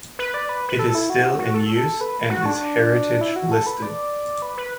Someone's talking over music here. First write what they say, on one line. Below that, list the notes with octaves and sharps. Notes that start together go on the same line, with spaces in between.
It is still in use and is heritage-listed.
B4
D5
B4
B4
A4
E4
F#4
F#4
A4
B4
F#4
D4
E4
F#4
A4
B4
D5
B4
B4